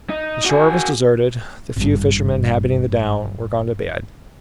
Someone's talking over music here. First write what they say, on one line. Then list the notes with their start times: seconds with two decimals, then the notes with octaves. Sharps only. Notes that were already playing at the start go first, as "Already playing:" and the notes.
The shore was deserted; the few fishermen inhabiting the down were gone to bed.
0.10 D#4
0.45 F#4 G#4
1.76 G#1 G2